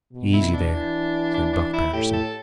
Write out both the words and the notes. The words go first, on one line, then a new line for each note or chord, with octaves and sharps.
"Easy there!" said Buck Patterson.
B2
E4
D4
E3
D4
D4
E4
A2 G4
A4